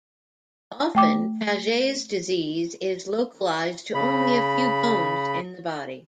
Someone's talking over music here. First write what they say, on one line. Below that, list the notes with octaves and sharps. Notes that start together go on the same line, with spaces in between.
Often Paget's disease is localised to only a few bones in the body.
A3 G5 D6
C#3 B5